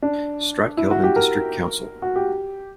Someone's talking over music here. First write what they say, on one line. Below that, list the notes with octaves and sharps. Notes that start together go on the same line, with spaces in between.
Stratkelvin district council.
D4
E4
F#4
G4
A#4
F#4
G4